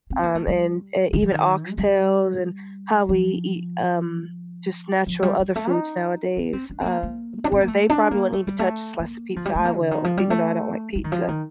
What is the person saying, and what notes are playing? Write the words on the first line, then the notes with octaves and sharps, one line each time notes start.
um, and, uh, even oxtails and how we eat, um, just natural other foods nowadays, um, where they probably wouldn't even touch a slice of pizza, I will, even though I don't like pizza,
C4
A#3
A3
G3
D#3
F3
D#3
A3
G3
F3
F3
G3
G3
A3
D#4
D4
C4
D4
C4
A#3
A#3
D4
C4
A#3
A3
D4
A#3
A3
G3
A3
A#3
F3
G3
A3
A#3
D3
D#3
F3
G3
A3
G3
D#3
F3
D#3